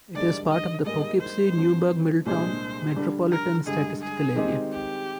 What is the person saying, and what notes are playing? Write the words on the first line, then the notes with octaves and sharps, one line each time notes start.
It is part of the Poughkeepsie-Newburgh-Middletown Metropolitan Statistical Area.
G#2 D#3 G3 D4 D5
D#5
G#2 G3 A#3 D#4 G#4 D#5
C5
G2 F3 C4
C2 A#2 G#3 D4 G#4 C5
D3 G3 D4
A#4
G2 D3 G#3 G#4
G#4
D#3 G#3 C4 D#4 G4
G4